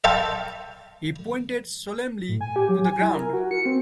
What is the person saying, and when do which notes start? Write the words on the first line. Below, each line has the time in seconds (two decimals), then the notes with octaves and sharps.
He pointed solemnly to the ground.
0.04 E5 F5 G5 A5 C6
2.29 A2
2.41 G#5
2.56 G4
2.69 F#3
2.85 G#5
3.01 E4
3.14 A#4
3.33 F#4
3.51 C#7
3.66 C4